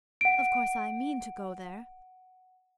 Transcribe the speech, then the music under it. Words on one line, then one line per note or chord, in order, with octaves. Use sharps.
Of course I mean to go there.
F#5 D7